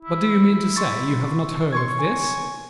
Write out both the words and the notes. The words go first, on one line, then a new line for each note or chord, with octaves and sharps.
But do you mean to say you have not heard of this?
E4
C6 C#6 A6
C#5 C6 C#6 G#6
G#5